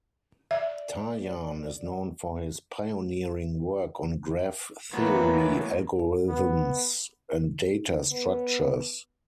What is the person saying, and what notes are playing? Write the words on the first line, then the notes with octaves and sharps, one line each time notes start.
Tarjan is known for his pioneering work on graph theory algorithms and data structures.
D5 E5
A2 E3 F#3 A#3 B3 B4
B3
B3